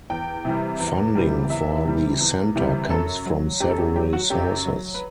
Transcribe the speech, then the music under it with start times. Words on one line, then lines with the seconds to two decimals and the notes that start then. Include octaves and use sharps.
Funding for the centre comes from several sources.
0.10 E2 G5
0.45 C3 E3 G3
0.80 E2
1.15 C3 E3 G3
1.50 E2 E5
1.85 C3 E3 G3
2.20 E2
2.56 C3 E3 G3
2.90 F#2 A4
3.26 F#3
3.60 F#2 G4
3.71 A4
3.78 G4
3.96 F#3 G4
4.13 F#4
4.30 F#2 G4
4.66 F#3
4.94 B4